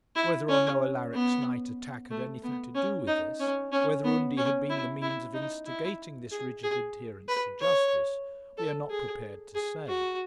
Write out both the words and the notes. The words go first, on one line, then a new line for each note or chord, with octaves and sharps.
Whether or no Alaric's night attack had anything to do with this, whether Undy had been the means of instigating this rigid adherence to justice, we are not prepared to say.
E4
C#4
B3
A3
B3
C#4
D#4
C#4
C#4
B3
C#4
E4
E4
D#4
E4
G#4
G#4
B4
C#5
A4
G#4
G#4
F#4